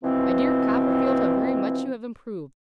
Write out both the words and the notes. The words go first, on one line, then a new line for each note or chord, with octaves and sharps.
My dear Copperfield, how very much you have improved!
B2 E3 F3 C4